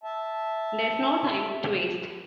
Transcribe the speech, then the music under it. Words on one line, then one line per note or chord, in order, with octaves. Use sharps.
There's no time to waste.
E5 A5